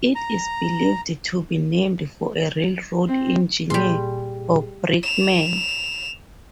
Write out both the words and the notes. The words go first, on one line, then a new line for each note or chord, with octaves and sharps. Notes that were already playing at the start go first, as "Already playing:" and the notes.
It is believed to be named for a railroad engineer or brakeman.
A#5
C4
A#2 G3 G#4 C6
E7 F7